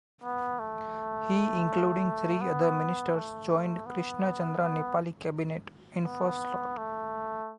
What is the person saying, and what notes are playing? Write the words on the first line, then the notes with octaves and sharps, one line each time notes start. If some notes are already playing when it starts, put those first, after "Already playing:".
He including three other ministers joined Krishna Chandra Nepali cabinet in first lot.
B3
A3
B3
A3
B3
B3
B3
A3